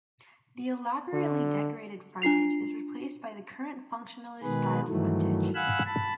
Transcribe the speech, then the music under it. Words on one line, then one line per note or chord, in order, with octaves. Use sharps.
The elaborately decorated frontage is replaced by the current functionalist style frontage.
D3
D4 F4 C7 F7
B2 D#3 G#3 G#4 B4
G2 D#3 E3 F#3 A3
F5 F#5 G#5 B5 E6 F#6
A5 B5